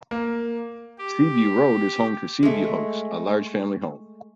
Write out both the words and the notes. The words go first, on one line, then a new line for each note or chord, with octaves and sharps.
Sea View Road is home to Sea View House a large family home.
A#3
G4
G#3 A3